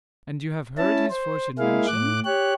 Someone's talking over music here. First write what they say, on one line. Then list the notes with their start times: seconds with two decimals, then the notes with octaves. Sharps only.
"And you have heard his fortune mentioned?"
0.78 C#4 E4 A5
1.10 C5
1.59 G#3 A#3 E4 G#4 F5
1.87 A2 D6 F#6
2.25 G4 C#5 F#6